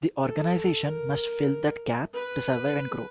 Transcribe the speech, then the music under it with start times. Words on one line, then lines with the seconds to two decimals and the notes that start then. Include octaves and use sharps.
The organization must fill that gap to survive and grow.
0.20 A4
0.84 A#4
2.13 B4